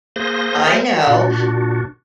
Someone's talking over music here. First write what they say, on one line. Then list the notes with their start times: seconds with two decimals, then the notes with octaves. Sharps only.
I know,
0.16 A#3 G#4 C5 C6 A#6
1.07 A#2 D4 F#4